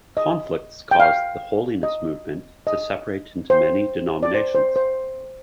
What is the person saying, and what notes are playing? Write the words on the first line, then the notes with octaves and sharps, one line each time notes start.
Conflicts caused the holiness movement to separate into many denominations.
D#5
G5
F5
D#5
D#5
C5
D5
C5
C5
C5